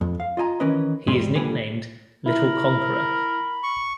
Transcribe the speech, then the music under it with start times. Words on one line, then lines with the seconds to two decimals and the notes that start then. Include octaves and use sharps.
He is nicknamed "Little Conqueror".
0.01 F2
0.20 F5
0.37 F4 D#5 G#5 A#5
0.60 D#3 E3 C#4 A#4 B4 D#5
1.07 E2 G#2 G3 G#3 G4 C6
1.35 B1 A#2 D3 G3 G#5 B5
2.26 E4 A#4 B5
3.63 C#6